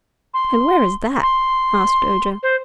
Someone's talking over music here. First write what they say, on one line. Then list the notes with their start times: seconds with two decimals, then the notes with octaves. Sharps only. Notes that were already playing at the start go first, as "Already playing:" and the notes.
"And where is that?" asked Ojo.
0.34 C6
1.22 C6
2.43 C5